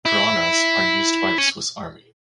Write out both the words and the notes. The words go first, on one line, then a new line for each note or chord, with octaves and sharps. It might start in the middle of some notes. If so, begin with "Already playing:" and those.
Piranhas are used by the Swiss Army.
E4
C#4